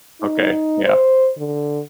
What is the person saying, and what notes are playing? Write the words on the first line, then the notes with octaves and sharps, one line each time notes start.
Okay, yeah.
D#4
C5
D3